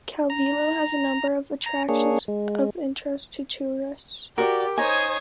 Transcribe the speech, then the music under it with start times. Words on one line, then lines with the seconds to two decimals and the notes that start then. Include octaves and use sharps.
Calvillo has a number of attractions of interest to tourists.
0.30 A#5
1.66 A#5
1.89 A#3 D4 G#4 C#5
2.28 G#3
4.38 F#4 G4 A#4 D5
4.78 D#4 C5 C#5 G#5 D#6 G#6